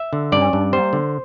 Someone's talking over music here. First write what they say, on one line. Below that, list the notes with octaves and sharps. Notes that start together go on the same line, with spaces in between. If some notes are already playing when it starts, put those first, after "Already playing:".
Law no.
Already playing: E5
D3
G2 D5
G2
G3 C5
D3